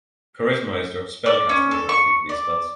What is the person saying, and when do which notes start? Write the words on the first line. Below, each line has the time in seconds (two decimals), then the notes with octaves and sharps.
Charisma is your spellcasting ability for these spells.
1.26 D5
1.49 C#4
1.71 A4
1.89 C#6
2.29 D5